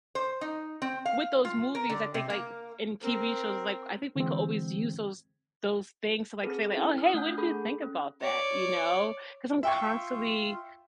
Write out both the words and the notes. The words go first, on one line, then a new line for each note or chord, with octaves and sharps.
with those movies, I think like, in TV shows, like, I think we could always use those those things to like say like, "Oh, hey, what did you think about that?" You know, cause I'm constantly
C5
D#4
C4
F5
F4
A#4
D3
C3
A#3
C4 A#4
D3 E3 G#3 C4
C4 G#4 A4 B4
C#4 E4
D#6 F6
A3 D4 F#5 G6
G#4 A4 B5
C#4
C#5 D5
F4 E5 G5 C#6